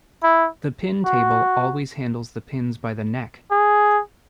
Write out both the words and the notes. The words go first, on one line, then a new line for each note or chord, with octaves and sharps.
The pin table always handles the pins by the neck.
E4
F#4
G#4